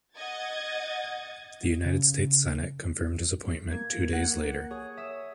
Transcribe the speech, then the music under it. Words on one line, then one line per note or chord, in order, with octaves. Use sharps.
The United States Senate confirmed his appointment two days later.
D#5 F#5 G#6 A6
C#3
A#3 G#6
F#5
G#4 C#5
E5 D#6